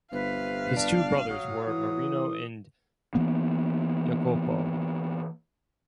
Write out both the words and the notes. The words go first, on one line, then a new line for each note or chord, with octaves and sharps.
His two brothers were Marino and Iacopo.
G1 C3 B4 F5
D4
F#3 D#6
E3 D#6
E3 A#3 B3